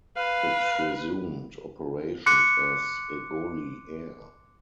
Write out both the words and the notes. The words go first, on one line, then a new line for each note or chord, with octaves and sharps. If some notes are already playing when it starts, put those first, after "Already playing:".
It resumed operations as Egoli Air.
B4 F5
C6 D6 F#6 C#7